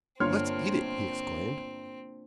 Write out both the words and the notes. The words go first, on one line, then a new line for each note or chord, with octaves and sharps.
"Let's eat it!" he exclaimed.
G1 A#3 C4 D4 F4 C#5 C6 F6